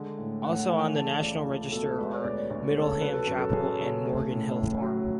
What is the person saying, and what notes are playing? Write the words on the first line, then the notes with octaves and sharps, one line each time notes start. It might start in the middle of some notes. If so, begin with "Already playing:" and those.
Also on the National Register are Middleham Chapel and Morgan Hill Farm.
Already playing: D3 G#3
A2
A2 F#5
E3 G#5
A3 A5
C#2 D5
C#2
B2 A4
G#3 B4
C#5
D2 D5
D5
D2 C#5
C#3 A4
F#3 B4
A4
F#2 A4
A4
F#2 G#4
C#3
A3
A2
A2
F#3